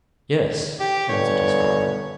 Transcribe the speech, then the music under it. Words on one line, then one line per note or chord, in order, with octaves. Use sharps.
"Yes," answered his father.
G4
G1 C#5